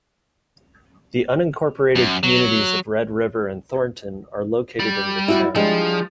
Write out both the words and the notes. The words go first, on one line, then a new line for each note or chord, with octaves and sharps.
The unincorporated communities of Red River and Thornton are located in the town.
F#2
F#3
G3
E4 F#4
F3 G3 G#3 D4